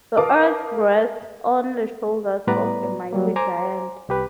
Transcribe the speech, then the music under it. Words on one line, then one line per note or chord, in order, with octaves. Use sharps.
The earth rests on the shoulders of a mighty giant.
A#4 B4 F5 A5 D6 D#6
A2 G3 B3 B4 D5 A#5
F#3 G3 A#3
C5 G#5 A#5 D6
C2 G4 B4